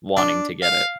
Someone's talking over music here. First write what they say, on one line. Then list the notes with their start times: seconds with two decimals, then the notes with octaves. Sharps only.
wanting to get it.
0.17 D4
0.63 F5